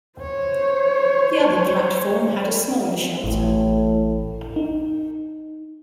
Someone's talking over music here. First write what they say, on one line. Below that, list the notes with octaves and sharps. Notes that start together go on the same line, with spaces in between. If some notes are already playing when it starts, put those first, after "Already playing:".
The other platform had a smaller shelter.
C5 C#5
A1 A2
D#4